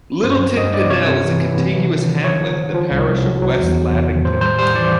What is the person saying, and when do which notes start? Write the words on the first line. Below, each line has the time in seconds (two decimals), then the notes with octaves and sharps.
Littleton Panell is a contiguous hamlet in the parish of West Lavington.
0.23 G2 C5
0.40 F#3
0.57 G2 D#5
0.73 G2 D5
0.90 C3 C#5
1.07 C3
1.24 E3
1.40 E3
1.57 C3
1.73 F#3
1.90 D#3
2.08 D#3
2.24 C#3 C#5
2.41 F3
2.58 F3
2.74 F3
2.91 C2
3.07 C2
3.24 F#3
3.42 F#3
3.58 E2
3.75 E2
3.91 C3
4.09 D#3
4.25 A2 C5
4.41 G3 C5
4.58 G3 C5
4.75 E3 D5